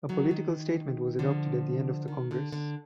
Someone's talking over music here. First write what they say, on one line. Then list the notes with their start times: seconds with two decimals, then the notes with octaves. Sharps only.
A political statement was adopted at the end of the congress.
0.09 D#3 F#3
0.31 D#3
1.19 D3 F3
2.08 D#3
2.31 D3
2.52 D3